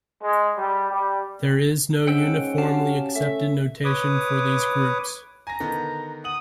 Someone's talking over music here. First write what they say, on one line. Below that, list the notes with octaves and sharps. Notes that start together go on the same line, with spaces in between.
There is no uniformly accepted notation for these groups.
G#3
G3
G3
G#2 C#4 F#5 G5 E6
F#4 G4 F5 A5
A3 E5
B4 C#5 D6 D#6
G#5 A#5 A#6
D3 D#3 B3
F#5 D#6 F#7